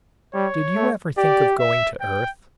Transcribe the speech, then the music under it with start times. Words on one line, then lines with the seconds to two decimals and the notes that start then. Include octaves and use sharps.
"Did you ever think of going to Earth?"
0.34 G3 C#5
0.76 A3
1.18 G4 D5
1.59 E5
2.01 G5